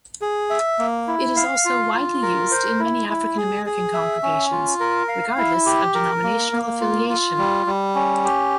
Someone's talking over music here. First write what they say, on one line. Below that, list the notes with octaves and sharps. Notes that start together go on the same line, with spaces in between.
It is also widely used in many African-American congregations regardless of denominational affiliation.
G#4
E5
A#3
E4
F5
F4
F4
A#4
C5
E4
E4
G#4
G#4
E5
C#4
F4
A#4
F5
E4
G4
A#4
A#3
A#3
F4
F4
G3
G3
C#4
G4